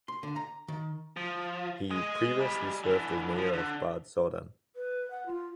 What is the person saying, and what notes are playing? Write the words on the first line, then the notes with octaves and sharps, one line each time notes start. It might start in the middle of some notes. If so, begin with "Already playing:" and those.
He previously served as mayor of Bad Soden.
C6
D3
A#5
D#3
F3
G#3 D#5
G3 G#3
D3 E3
F3
D3
B4
F#5
F4